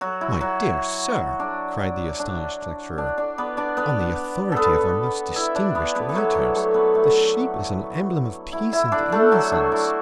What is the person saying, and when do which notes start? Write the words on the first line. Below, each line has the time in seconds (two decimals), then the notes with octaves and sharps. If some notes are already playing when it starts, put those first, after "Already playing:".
"My dear sir," cried the astonished lecturer, "on the authority of our most distinguished writers, the sheep is an emblem of peace and innocence."
0.01 F#3 F#4
0.21 E4
0.41 F#3 F#4
1.40 D4 D5
2.19 D4
2.98 D4
3.18 D4 D5
3.38 B3 B4
3.57 D4 D5
3.77 B3 B4
4.52 B3 A4 B4
5.36 E4 E5
5.55 D4 D5
5.75 B3 B4
5.95 B3 B4
6.09 A4
6.15 F#3 F#4
6.35 F#3 F#4
6.54 A3 A4
6.74 B3 B4
6.94 A3 A4
8.53 E4
8.73 E4 E5
8.92 D4 D5
9.12 A3 A4
9.32 F#3 F#4
9.52 D4
9.72 E4